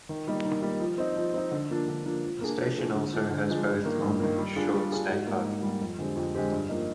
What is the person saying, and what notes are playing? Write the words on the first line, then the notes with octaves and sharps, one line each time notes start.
The station also has both long and short stay parking.
D#3
G3 A#3 D#4
D#3
G3 A#3 D#4
F3
C4 D#4
F3
C4 D#4
D3
F3 A#3 D4
D3
F3 A#3 D4
F3
A#3 D4 G#4
F3
A#3 D4 G#4
D3
F3 G#3 D4
D3
F3 G#3 D4
G2
D#3 A#3
G2
D#3 A#3
G3
D4 F4 G#4
G3
D4 F4 G#4
G#2
G3 A#3
G#2
G3 A#3
F2
D3 G#3 C4 G4
F2
D3 G#3 C4 G4
G2
F3 A#3 D#4